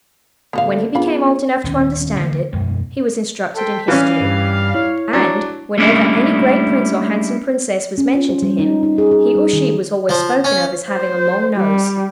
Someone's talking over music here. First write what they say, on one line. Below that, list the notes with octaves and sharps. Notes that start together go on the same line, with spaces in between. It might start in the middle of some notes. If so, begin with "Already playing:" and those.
When he became old enough to understand it, he was instructed in history; and, whenever any great prince or handsome princess was mentioned to him, he or she was always spoken of as having a long nose.
D2 D3 B3 F#4 F5
B3 D4 F4 G#4 F5 B5
D#1 D#2 B3 C#4
D3 E3 A#3
E1 F#2 B2 G#3
A4 C5 G5 B6
E3 G3 C#4 F5
G2
E4 C#5
F#3 D4
G3 A3 A#3 C#4 D4 E4
C#4
F4
C5
G3
D#4
D#4
G#4
G#4
G3
D#3
F3
C#4
C5
G3